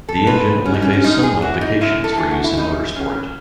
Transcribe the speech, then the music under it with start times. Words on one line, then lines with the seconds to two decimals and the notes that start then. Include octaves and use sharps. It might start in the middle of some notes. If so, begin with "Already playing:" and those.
The engine only faced some modifications for use in motorsport.
0.09 A4
0.27 G#2 B4
0.65 F#3 C#4
0.74 D#4
0.82 C#4
0.93 C#4
1.04 F#2 D#4
1.23 G#4
1.42 E3 F#4
1.61 D#4
1.81 F#2 E4
2.04 A4
2.18 E3 G#4
2.31 F#4
2.44 E4
2.57 F#2 D#4
2.96 C#3 F#3 C#4